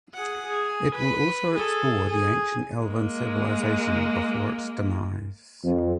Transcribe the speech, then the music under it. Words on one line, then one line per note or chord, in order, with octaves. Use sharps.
It will also explore the ancient Elven civilisation before its demise.
G#4 F#5
G#4
B4
G#4 A4
G#4
G#3 A#3
F2